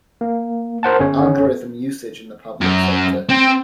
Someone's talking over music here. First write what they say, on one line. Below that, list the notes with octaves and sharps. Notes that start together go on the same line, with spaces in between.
Algorithm usage in the public sector.
A#3
A#4 C5 F#5 A5
G1 C#4 G#4 C#5
F#2
C4